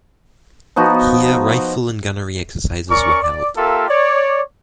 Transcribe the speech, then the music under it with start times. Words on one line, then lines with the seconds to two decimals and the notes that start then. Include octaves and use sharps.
Here rifle and gunnery exercises were held.
0.76 F3 B3 D#4 F#4
2.89 C#4 A#4 D5 C#6
3.22 D5
3.56 A#3 F4 G4 A4 A#4 E5
3.88 C#5 D5